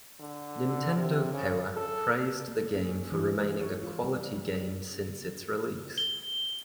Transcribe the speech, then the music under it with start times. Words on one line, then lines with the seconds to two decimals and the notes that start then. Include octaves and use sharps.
"Nintendo Power" praised the game for remaining a quality game since its release.
0.20 D3
0.98 C3
1.33 C#3
1.77 A4
2.48 A#3
2.76 C#4
3.12 E3
3.60 C#5
3.83 F4
4.04 G3
4.35 G3
5.98 G7